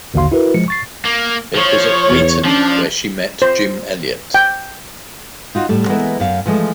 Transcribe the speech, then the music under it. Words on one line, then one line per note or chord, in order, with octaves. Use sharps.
It was at Wheaton where she met Jim Elliot.
A1 D#2 D3 F#4 F5 C6
E4 F#4 A#4 B4
F3 G#3 C#7
C#6 A6 C7
A#3
F3 C#5
E2
F3 C#4 D4
C5
G5
D#4 F4 F#4
A2 G3 A3
E3 G#3 A#3 B3 E4 E5
F#2 F5
E3 F3 G#3 A3